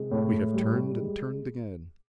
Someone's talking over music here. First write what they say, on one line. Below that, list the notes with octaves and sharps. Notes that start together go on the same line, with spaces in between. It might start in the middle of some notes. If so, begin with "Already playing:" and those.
"We have turned and turned again."
Already playing: C3 G#3
A2
G3
G#3